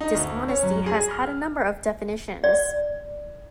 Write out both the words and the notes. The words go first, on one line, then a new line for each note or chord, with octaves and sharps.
Dishonesty has had a number of definitions.
D#4
D2
C#4
F#2
G#4
F6
D5